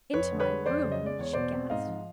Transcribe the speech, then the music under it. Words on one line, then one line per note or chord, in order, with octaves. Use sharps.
"Into my room?" she gasped.
F2 B4 C#5
D3
B4 C#5
G#3
F2 C5 D5
C#3
D#5
G#3 D5
E2 C#5
B2 C5 D5
C4
G#2 D#5 F5
F3